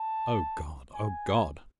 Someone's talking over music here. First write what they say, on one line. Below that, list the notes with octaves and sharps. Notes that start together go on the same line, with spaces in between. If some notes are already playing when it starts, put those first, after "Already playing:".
O God! O God!
Already playing: A5
G#5